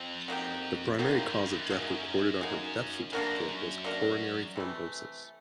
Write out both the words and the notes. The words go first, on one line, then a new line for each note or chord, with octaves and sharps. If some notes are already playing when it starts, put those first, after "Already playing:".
The primary cause of death recorded on her death certificate was coronary thrombosis.
Already playing: F2 C4
F#3 A#3 D#4 G4
F#2 F#3 A#3 D#4 G4
G2
F2
F#2
G2
F#3 A#3 D#4 G#4
F#2
F#3 A#3 D#4 G#4
F#2 A#3 D4 F#4 A#4
A#3 D4 F#4 A#4
C3 E3 A3